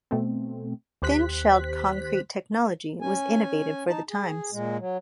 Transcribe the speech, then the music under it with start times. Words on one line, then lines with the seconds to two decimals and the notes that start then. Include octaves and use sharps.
Thin-shelled concrete technology was innovative for the times.
0.11 B2 A3 C4
1.02 D#2 G4 C5 F#6 B6
3.01 C#4 G#5
3.87 D#4 A5
4.09 G#4
4.52 A#2 G#3
4.79 F#3